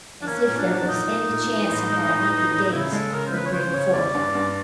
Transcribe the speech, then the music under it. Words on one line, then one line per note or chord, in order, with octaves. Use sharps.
As if there was any chance about what the days would bring forth.
D4
A#3 C#4
A#2
D4
F#3
D4
A#2 D#4
A#3
A#2
E3
A2
G#3
A2
E3
A2
D#4
C#3 E4
G#3 A4
C#3 A#4
C5
G#3 B4
C#5
C#3 C5
C#3 C#5
G3 D5
G2
G2